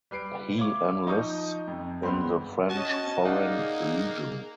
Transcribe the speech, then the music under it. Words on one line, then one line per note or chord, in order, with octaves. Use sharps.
He enlists in the French Foreign Legion.
G3 B4 C7 D7
E4 C#5 F5 C#6 D6
F3 D#4 A#5 C#6 D#6 G6
F2 C3
C#2 G2 B3 B4 C5 C6
C#4 F#4 D#5 A5
A#3 D#4 G#4 D5 F5 F#5